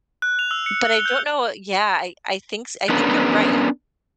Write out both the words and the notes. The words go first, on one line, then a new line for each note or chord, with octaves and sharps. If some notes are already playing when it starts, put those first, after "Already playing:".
But I don't know i Yeah, I I thinks I think you're right,
F#6
F7
E6
C#7
G7
G6
B3 C#4 D4 A#4 B4